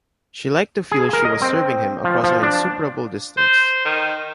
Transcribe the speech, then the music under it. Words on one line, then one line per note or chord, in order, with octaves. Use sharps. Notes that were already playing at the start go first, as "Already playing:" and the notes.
She liked to feel she was serving him across an insuperable distance.
G#4
A#4
D#5
C4
F3
F3
D4
C5
D#3